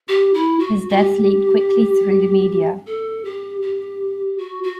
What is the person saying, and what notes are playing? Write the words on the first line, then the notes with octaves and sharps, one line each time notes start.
His death leaked quickly through the media.
G4
E4
F#4
F#4
G4
A4
G4
G4
F#4
F#4